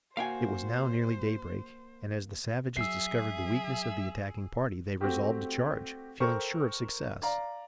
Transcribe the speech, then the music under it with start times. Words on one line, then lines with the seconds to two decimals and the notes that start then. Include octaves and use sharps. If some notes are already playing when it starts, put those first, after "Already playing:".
It was now nearly daybreak; and as the savages discovered the weakness of the attacking party, they resolved to charge, feeling sure of success.
0.17 A#3 F#4 C5 F5 G5 G#5
2.77 F#3 G#4 E5 E6 C7
5.01 A3 C4 F#4 G4
6.20 A4 A#4 C5 G5 C#6
7.22 D5 F5 A#5